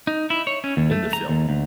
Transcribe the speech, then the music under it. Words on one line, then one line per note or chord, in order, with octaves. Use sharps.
in the film.
D#4
E4
C#5
C#4
D#2
A3
A#5
D#2
D2